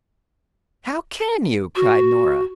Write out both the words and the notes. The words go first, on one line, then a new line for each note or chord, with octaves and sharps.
"How can you?" cried Nora.
F#4